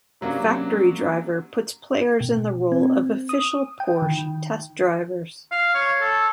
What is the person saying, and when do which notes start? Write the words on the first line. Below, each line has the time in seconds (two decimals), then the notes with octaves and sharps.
Factory Driver puts players in the role of official Porsche test drivers.
0.21 C3 F#3 A#3 C#4 D4
2.21 B2
2.72 C4
3.29 D#6
3.80 G5
4.02 D#3
5.51 F5
5.74 C#5
6.01 A4